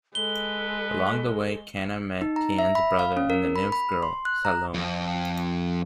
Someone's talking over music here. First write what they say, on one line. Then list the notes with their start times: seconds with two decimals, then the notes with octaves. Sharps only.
Along the way, Kana meet Tien's brother and the Nymph girl, Salome.
0.15 G#3 A4 B4 G7
2.21 D#4
2.36 A#5
2.58 E5
2.75 B5
2.99 F5
3.17 C#4
3.30 A#4
3.56 B5
3.72 B5
4.03 C6
4.25 F#6
4.45 A#5
4.74 F2